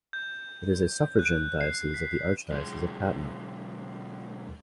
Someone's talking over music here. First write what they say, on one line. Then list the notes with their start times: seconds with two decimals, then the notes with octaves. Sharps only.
It is a suffragan diocese of the Archdiocese of Patna.
0.13 G6
1.19 F#6
1.61 C7
1.94 B6
2.52 B1 G#3